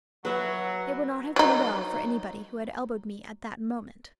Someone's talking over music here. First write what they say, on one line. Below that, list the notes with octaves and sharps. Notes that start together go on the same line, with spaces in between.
It would not have been well for anybody who had elbowed me at that moment.
F#3 B4 E5 F#5
F#3 D#4